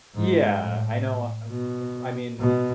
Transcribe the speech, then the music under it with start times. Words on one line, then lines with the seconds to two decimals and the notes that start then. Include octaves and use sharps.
Yeah, I know I'm m I mean,
0.15 G#2
0.60 A2
1.50 B2
2.40 B2